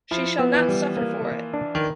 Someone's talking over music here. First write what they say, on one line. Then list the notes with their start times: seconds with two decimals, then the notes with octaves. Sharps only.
She shall not suffer for it!
0.11 F3 E4
0.39 B3
0.54 E3
0.69 G3
0.97 A#3
1.25 A#3
1.54 D4
1.75 D#3